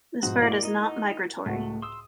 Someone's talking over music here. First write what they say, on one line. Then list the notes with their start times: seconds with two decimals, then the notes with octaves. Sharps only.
This bird is not migratory.
0.23 G#2 B2 F3 F#4
0.42 A3 A#3 E4 F#4 D5
0.63 D#4 D#5
1.46 C#2 A2 A3 F#4
1.82 C6 D#6 E6